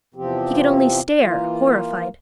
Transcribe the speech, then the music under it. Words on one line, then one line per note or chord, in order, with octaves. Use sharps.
He could only stare, horrified.
E2 C3 F3 C4 G4
E3 A#3 F4